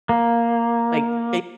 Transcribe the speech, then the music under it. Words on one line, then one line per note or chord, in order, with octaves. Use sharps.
like, they
A#3